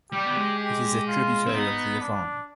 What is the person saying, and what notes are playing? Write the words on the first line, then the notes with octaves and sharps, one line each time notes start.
It is a tributary of the Avon.
G3 G4
B3
G#3
G4
F4
C4
B3 D#4
D4